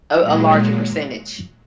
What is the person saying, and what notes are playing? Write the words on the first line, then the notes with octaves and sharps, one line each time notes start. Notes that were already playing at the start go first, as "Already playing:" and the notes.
a a larger percentage.
A#2 F#3 G#3